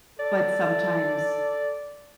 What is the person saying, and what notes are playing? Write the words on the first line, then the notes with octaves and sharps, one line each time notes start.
but sometimes,
A4 D5